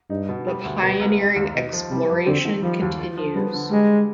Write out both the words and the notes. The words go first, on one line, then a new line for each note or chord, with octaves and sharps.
The pioneering exploration continues.
G2 D#4
B2
G3
D2
B2 B3
C2
G#3
D#2
B2 D#4
F3
C3 G3
F2
D3 C4
D#3
F3 G3
D#2
F4
F3
G3 B3
D3
G3 G#3